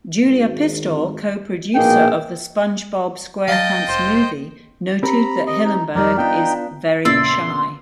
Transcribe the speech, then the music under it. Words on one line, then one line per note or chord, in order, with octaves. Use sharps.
Julia Pistor, co-producer of "The SpongeBob SquarePants Movie", noted that Hillenburg is "very shy".
G#1
A#1 B2 A#3 D#4 G#4 G5
F#3 D#5 F5 G5 A5
F1 C5
C4 G4 A#4 A#5 B5
D#5
D#4
F2 G3 D#4 A#4 D5
B3 D4 D#4 F4 G5
E2 A#2 C#3 E4 D5 C6 E6